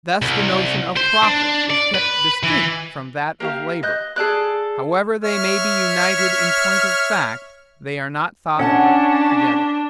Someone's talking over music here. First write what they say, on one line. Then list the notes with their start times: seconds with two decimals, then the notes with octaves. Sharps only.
Thus the notion of profit is kept distinct from that of labor; however they may be united in point of fact, they are not thought of together.
0.22 C2
0.97 C5
1.23 D4
1.70 D5
1.94 B4
2.43 E3
3.40 A#3 G4 F5
3.83 D#5 F#6 G6
4.16 G#4 A4 D5 F#6
5.24 C#5 E5 F6
8.59 C#4 D4 A4 F#5 A5